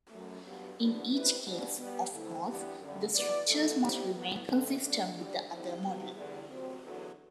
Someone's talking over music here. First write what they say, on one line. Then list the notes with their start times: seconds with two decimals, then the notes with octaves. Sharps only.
In each case, of course, the structures must remain consistent with the other model.
0.11 F#2 F#3 A3
0.45 G2 F#3 B3
0.78 E2 D3 F#3 B3 D4
1.11 E3 G3 C4 E4 B4
1.45 B2 G3 D4
1.78 B2 G3 B3
2.12 D3 A3 C4 E4
2.46 E3 B3 D4 G4
2.79 F#2 D3 G3
3.14 E3 B3 F#4 B4 D5
3.47 F#2 F#3 B3 E4 A4
3.81 A2 G3 C4 E4 G4
4.15 A2 F#3 B3
4.48 D3 A3 C4
4.81 D2 D3 A3 D4
5.14 D2 D3 G3
5.49 G2 D3 G3 C4 E4
5.82 C3 F#3 B3
6.15 E2 D3 G3
6.49 D2 C3 F#3 C4
6.83 E2 D3 F#3